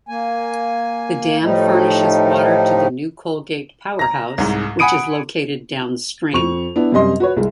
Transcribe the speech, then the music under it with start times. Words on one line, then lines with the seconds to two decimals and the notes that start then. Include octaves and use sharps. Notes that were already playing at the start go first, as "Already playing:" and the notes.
The dam furnishes water to the New Colgate Powerhouse, which is located downstream.
0.09 A#3 G#5
1.42 A2 F3 G3 A3 D#4
3.99 A#5 A#6
4.38 C2 G#2
4.79 F#5 G#5 B5 D#6 D7 D#7
6.33 F2 C#6 F7
6.76 B3 D4 E4
6.92 F#2 C3 G3 D#5 C6
7.20 F#4 B4 C#5
7.36 C2 G#3